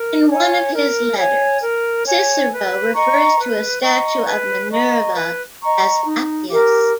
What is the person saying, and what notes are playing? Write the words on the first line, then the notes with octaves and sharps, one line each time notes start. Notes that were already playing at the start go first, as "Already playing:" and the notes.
In one of his letters, Cicero refers to a statue of Minerva as "Appias".
Already playing: A#4
C#5 G#5
A#4
C#5 G#5
A#4
C#5 G#5
B4
D#5 A#5 C#6
B4
D#5 A#5 C#6
B4
D#5 A#5 C#6
B4
D#5 A#5 C#6
D#4
G4 A#4